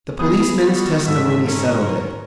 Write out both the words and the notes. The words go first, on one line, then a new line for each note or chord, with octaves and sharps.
The policeman's testimony settled it.
B3 G#4 D#6
G3 F#4
G#2 D3 D#3 E5
C#4 A#4